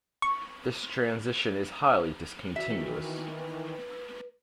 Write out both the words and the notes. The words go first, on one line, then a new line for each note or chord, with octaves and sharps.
This transition is highly discontinuous.
C#6
D#3 E3 F#4 E5
B4